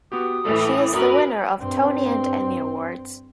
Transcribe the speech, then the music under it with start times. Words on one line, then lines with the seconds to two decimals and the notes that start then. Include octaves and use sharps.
She is the winner of Tony and Emmy awards.
0.12 B3 F#4 G4 D#6
0.45 A2 E3 A3 A4
0.93 F#2 A#4 B4
1.57 G2 C4